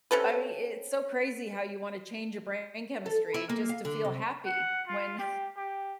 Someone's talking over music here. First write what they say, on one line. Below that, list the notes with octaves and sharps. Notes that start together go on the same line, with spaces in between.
I mean, it's so crazy how you wanna change your brain chemistry just to feel happy when,
C3 C#4 A4 B4
A4
E4
A#3
F5
D3
C3
F#5
F4
G4
G4